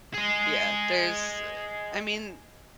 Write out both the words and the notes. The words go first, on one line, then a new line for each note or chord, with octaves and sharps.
Yeah, there's, eh, I mean,
G#4 D#5